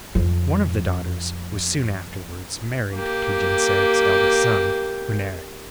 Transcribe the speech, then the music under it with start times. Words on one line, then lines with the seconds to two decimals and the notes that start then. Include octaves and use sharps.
One of the daughters was soon afterwards married to Genseric's eldest son, Hunneric.
0.15 F2 F3
2.93 A#3 G4